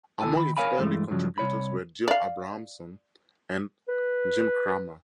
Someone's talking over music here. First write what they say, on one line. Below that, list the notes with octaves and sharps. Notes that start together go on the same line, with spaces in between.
Among its early contributors were Jill Abramson and Jim Cramer.
D#2 E4 A4 G#5 A5
D#3 B5
A#4 C#5 F5 G#5 B5
G2 E3 G#3 A3
G2 C#3 F3 F#3
C2 C#5 B5
D5 F5
B4